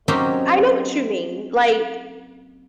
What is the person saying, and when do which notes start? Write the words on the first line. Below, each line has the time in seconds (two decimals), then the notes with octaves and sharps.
n I know what you mean, like
0.08 F#3 A#3 C4 C#4 D#4 G4